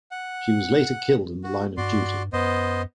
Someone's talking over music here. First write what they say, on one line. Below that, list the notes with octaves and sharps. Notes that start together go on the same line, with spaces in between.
She was later killed in the line of duty.
F#5
F#4
G2 F#4 D5 C6
F#2 B3 C5 D#5